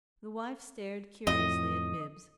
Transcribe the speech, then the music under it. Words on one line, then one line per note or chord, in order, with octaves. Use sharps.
The wife stared curiously at Bibbs.
F2 A2 D#5